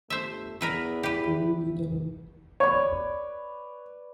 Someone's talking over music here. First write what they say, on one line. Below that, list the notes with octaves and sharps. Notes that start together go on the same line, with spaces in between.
Could You Be the One?
G1 A3 C5 E5
E2 B3 A#4 B4 E5
E4 G4 B4
B4 C#5 D5